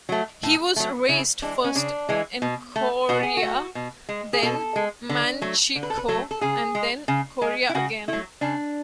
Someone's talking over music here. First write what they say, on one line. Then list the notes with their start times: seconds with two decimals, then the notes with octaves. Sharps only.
He was raised first in Korea, then Manchukuo, and then Korea again.
0.09 F#3 A3
0.43 A2
0.76 F#3 A3
1.08 C#3 E4
1.42 E3 G#3 D4
1.64 C#4
1.75 C#3 D4
2.09 E3 G#3
2.42 B2
2.76 A3
3.09 B2 F#4
3.23 G#4
3.37 F#4
3.43 A3
3.75 B2
4.09 G#3
4.33 G#4
4.42 B2 A4
4.76 G#3
5.09 D3
5.42 F#3 A3
5.75 D3
5.83 B4
5.90 A4
5.97 B4
6.08 F#3 A3 A4
6.31 A4
6.41 C#3 G#4
6.75 G#3
7.08 C#3
7.42 G#3
7.69 E4
7.75 C#3 F#4
8.08 F#3 A3 E4
8.41 C#3 D4